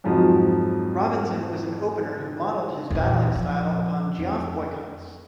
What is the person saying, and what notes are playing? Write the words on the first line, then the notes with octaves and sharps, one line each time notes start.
Robinson was an opener who modelled his batting style upon Geoff Boycott's.
F2 G#2 F3 F#3
E2 A#2
F3
F2